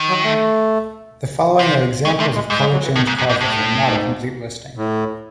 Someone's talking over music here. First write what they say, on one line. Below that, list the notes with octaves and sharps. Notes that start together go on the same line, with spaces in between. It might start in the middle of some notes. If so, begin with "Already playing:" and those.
The following are examples of color change causes and not a complete listing.
Already playing: D#3
F#3
A3
C3
C#3 G#3
C3 A3
G#3
G#2 G#3
G#3
F#3
E3
A2 D#3
G#2
F#2
C3
G#2
A2 C3
G#2
F#2
G#2
A2